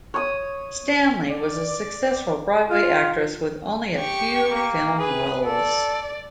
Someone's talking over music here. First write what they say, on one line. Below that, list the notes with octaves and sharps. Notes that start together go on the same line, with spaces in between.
Stanley was a successful Broadway actress with only a few film roles.
C#5 D#6
D5
F4
G4 C#6
A#3
G#4 B4
A4 D5